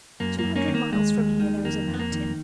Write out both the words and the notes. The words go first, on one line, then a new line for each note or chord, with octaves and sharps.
Two hundred miles from here there is a mountain.
F#2 A#3
A#3
F#2
A#3 C#4
D#3
A#3
D#2 G#3
D#2
D#3
F2 A#3
F2
B3
A#3
D#3